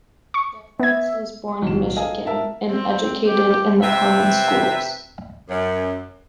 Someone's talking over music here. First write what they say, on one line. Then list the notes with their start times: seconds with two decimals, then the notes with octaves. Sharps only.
Jeffords was born in Michigan and educated in the common schools.
0.34 C#6
0.80 B3 E5 G#6
1.62 B1 A2 D#3 E7
1.96 A4 D#5 F5 G#5
2.26 A#4 E5 A5
2.71 C4
3.26 G4
3.83 C3 B4 E5
5.49 F#2